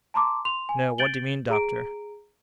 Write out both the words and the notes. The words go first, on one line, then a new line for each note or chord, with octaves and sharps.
"No! what do you mean, doctor?"
A5 A#5 C6 D6
C6 F7
G#5
G6 A6 D7 F#7 G7
G#4 A#5 D7